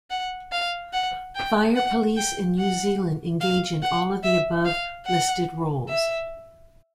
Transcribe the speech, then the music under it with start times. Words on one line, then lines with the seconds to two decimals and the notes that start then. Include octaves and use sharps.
Fire police in New Zealand engage in all of the above listed roles.
0.10 F#5
0.52 F5
0.93 F#5
1.35 G5
1.76 F#5
2.17 G5
2.59 F#5
3.41 F5
3.82 F#5
4.23 E5
4.65 F5
5.06 F#5
5.89 E5